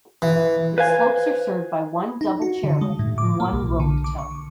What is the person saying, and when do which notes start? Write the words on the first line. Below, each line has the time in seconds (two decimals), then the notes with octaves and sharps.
Its slopes are served by one double chairlift and one rope tow.
0.22 E3
0.78 B4 C5 F5 G#5
2.21 D#4
2.42 F#4
2.64 D3
2.81 G#3
2.99 A2
3.18 D6
3.40 A#3
3.53 B1
3.80 D3
4.04 D6
4.19 C#6